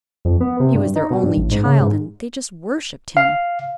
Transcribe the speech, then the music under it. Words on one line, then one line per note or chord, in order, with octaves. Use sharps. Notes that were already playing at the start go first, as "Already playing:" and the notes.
He was their only child and they just worshipped him.
F2
B3
C3
G2
D#4
B2
G2
A1
G#2
C#3
G#2
F5